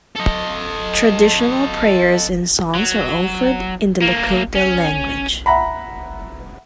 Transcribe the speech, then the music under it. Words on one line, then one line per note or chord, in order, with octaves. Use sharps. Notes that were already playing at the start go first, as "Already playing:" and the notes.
Traditional prayers and songs are offered in the Lakota language.
A4 D#5
F#3
A3 A#3
C#4
E5 F#5 A#5 B5